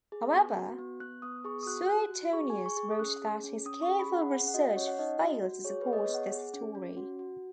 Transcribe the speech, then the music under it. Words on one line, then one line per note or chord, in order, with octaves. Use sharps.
However, Suetonius wrote that his careful research failed to support this story.
G#4
B3
F#4
B3
B3 F#6
B3 D#6
G#4 C#6
D#6
F#4 F#6
F#4 F#6
F#4
G#4 C#6
G#5
G#4
C#6
G#4
D#6
C#4 F#6
G#4
C#4
C#4 D#6
C#6
G#4
B5
G#4
F#5
C#4 F#5
F#5
F#4 D#5
C#4 C#5
F#5
D#4 D#5
F#4
F#4
G#4 C#5
B4
G#4
D#5
C#5
B3
F#5
G#4
C#4
C#4
F#4
F#4